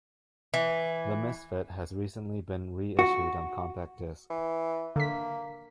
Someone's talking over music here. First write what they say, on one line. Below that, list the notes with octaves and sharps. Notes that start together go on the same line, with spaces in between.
"The Misfit" has recently been re-issued on compact disc.
E3
F#4
E3
D3 A#3 B6